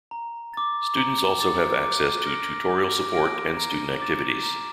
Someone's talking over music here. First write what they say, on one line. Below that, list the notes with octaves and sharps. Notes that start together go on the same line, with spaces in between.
Students also have access to tutorial support and student activities.
A#5
D6 A6
A#5
D6 A6
D6
F6 A#6 D7
D6
F6 A#6 D7
A#5
D6 A6 E7
A#5